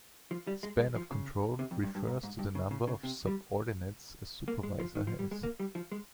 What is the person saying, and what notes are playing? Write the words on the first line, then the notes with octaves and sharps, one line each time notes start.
Span of control refers to the number of subordinates a supervisor has.
F3
G3
G#3
G#3
F3
C#3
C3
F2
G2
G2
G#2
G#2
G2
C#3
C#3
C#3
C3
G3
A#3
G#3
F3
D#3
F3
G3
G#3
A#3
G3
F3
G#3